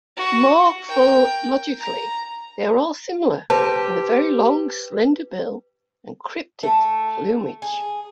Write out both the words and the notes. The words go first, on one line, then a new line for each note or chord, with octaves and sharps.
Morphologically, they are all similar, with a very long slender bill and cryptic plumage.
F#4
A#4 G5
A#5
G4 B4 C5 A5
A3
G#4